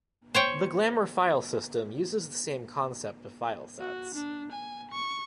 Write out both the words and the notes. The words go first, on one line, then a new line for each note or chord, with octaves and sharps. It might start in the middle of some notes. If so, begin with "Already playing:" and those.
The glamor filesystem uses the same concept of filesets.
C5 C#5 G5
F#4
D4
G#5
C#6